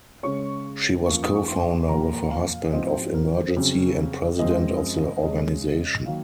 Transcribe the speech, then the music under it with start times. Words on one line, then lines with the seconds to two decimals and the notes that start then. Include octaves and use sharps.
She was co-founder with her husband of Emergency and president of the organization.
0.23 C#3 G#3 C#4 C#6
1.06 F#2 F3 A#3 C#6
1.23 D#6
1.36 C#6
1.48 C6
1.89 A#2 F3 A#3 A#5
2.31 F5
2.73 G#2 F3 G#3 C4 D#5
2.93 C5
3.14 A#4
3.36 C5
3.56 F2 C#3 F#3
4.39 F#2 F3 G#3 C4 D#5
5.23 C#3 G#3 C#4 D#5
6.06 D#3 F#3 A#3 F5